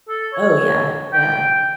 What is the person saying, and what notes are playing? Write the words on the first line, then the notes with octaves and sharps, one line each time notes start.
Oh, yeah. Yeah.
A4
C#5
G5